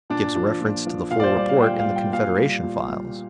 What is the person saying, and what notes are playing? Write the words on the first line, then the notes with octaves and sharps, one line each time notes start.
Gives reference to the full report in the Confederation files.
A#2 D4
F3
A#2
F3
A#2 F5
D5
C5
G3 D5
F5
A#2 G5
F5
G3
G5
A#2 F5
G3
A#2
G3